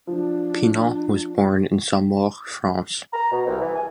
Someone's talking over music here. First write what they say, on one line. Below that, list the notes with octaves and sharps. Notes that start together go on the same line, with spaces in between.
Pinon was born in Saumur, France.
F3 D4
A#5
B2
C2
E3
G#5